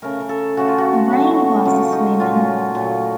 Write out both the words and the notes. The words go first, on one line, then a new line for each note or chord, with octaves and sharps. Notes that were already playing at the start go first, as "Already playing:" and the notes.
His brain was swimming.
C#3 A3 A#4
A#4
A4
C#3 A3 F#4
F4
F#4
C#3 F#3 A3
C#3 F#3 A3 F4
D#4
A#2 F#3 A3 F4
A#2 F#3 A3